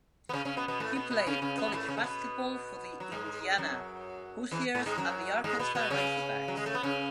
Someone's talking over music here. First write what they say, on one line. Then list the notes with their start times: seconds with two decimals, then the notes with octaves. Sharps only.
He played college basketball for the Indiana Hoosiers and the Arkansas Razorbacks.
0.29 B3
0.33 C#3 C#4
0.45 C#3 C#4
0.57 B2 B3
0.68 B2 B3
0.80 A2 A3
0.95 B2 B3
1.10 B2 B3
1.27 C#3 C#4
1.42 C#3 C#4
1.57 B2 B3
1.68 G#3
1.73 A2 A3
1.88 C#3 C#4
1.97 A3
2.04 B2 B3
3.00 F#3
3.12 G#2 G#3
3.58 F#2 F#3
4.51 E2 E3
4.75 A2 A3
4.86 G#2 G#3
4.98 F#2 F#3
5.44 G#2 G#3
5.59 B2 B3
5.75 B2 B3
5.90 C#3 C#4
6.48 F#3
6.57 G#3
6.66 A3
6.75 B3
6.83 C#3 C#4